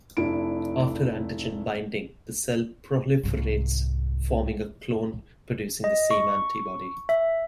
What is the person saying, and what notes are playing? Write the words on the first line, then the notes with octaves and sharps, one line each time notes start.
After antigen binding the cell proliferates, forming a clone producing the same antibody.
F1 D4 E4 D7
C2 G#2
D#5
C#6
E5